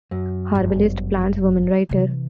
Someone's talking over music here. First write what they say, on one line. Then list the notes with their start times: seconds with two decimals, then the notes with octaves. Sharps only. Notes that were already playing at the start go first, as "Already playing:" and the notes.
Herbalist, plants women, writer.
0.11 F#2
0.55 G1
1.89 C3 E3